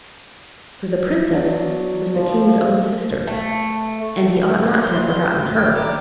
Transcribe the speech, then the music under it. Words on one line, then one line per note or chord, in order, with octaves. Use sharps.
For the princess was the king's own sister; and he ought not to have forgotten her.
F#3 B3 D4
F3
A3
F#4 G4 B4 C#5 C6
A2
D3 D#3 D#4 B4 G5 A6
G3 C#5 A#5 D6